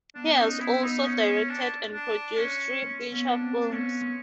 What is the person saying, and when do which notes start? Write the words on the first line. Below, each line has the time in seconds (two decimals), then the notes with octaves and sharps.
He has also directed and produced three feature films.
0.15 B3 D4
0.38 C#4 D#4
0.60 B3 E4
0.82 B3 D#4
1.04 C#4
1.27 C#4
1.49 D4
1.94 D4
2.37 C#4
2.82 A#3 C#4
3.11 B3 C#4
3.26 D4
3.41 C4
3.71 B3 C#4
4.01 A#3